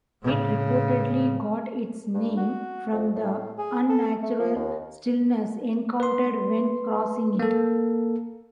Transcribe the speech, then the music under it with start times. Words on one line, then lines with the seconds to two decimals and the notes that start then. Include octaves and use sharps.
It reportedly got its name from the unnatural stillness encountered when crossing it.
0.22 A2 C#3
2.15 G2
2.37 F#4
2.93 F2
3.15 A2
3.58 G#4
3.90 A4
4.23 A3
4.39 F3
4.55 D#2
6.00 B4 C6
7.39 A#3 A4